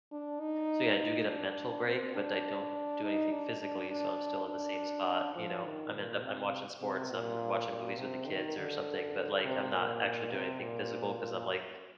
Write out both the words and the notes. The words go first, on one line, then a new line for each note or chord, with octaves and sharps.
so, yeah, I do get a mental break, but I don't do anything physically, so I'm still in the same spot, you know? I'm end up I'm watching sports. I'm watching movies with the kids or something, but, like, I'm not actually doing anything physical 'cause I'm like
D4
D#4
D#4
D4
C4
D4
D#4
D4
D4
D4
D4
F3
D#3
A#2
C3
C3
A#2
A#2
C3
D#3
D3
C3
A#2
C3
A#2
A#2